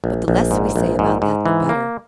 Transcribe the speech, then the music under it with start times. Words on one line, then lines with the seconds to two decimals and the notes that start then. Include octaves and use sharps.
But the less we say about that the better.
0.04 A#1
0.28 A#1
0.51 G#2
0.76 A#1
0.99 G#2
1.22 G#2
1.46 E3
1.69 A#3